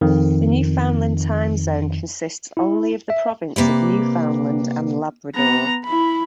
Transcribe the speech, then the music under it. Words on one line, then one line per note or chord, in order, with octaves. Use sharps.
The Newfoundland Time Zone consists only of the province of Newfoundland and Labrador.
F2 D#3
E4
E5
C3 A#3 B4 D5
B3 A#5
E4 B5